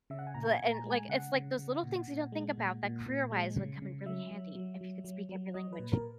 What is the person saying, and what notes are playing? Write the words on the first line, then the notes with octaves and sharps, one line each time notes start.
But and, like, it's like those little things you don't think about that career-wise would come in really handy if you could speak every language.
C#3 E5
F#5
G#5
A#2 A#5
G#5
A#2
A#5
G#3
G#5
C#3 F#5
C#3
C#3
A#2
A#2
G#3
A#2
A#2
A#2
G#3
C#3
C#3
F#3 E5
F#3
F#3
F#3
F#3
F#3
F#3 D#5
B4
A#2
A#4